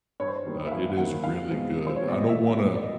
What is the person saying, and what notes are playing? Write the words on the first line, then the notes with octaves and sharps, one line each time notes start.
uh, it is really good. I don't wanna
G2 C#5
C5
C#5
D#3 G3 A#3
E5
G2 F5
F5
D#3 G3 A#3 F#5
C#2 F5
B2 G#3 C4
C#2
C5
C#5
B2 G#3 C4 D5
D#5
E2 E5
B2 G3 B3
D5
D#5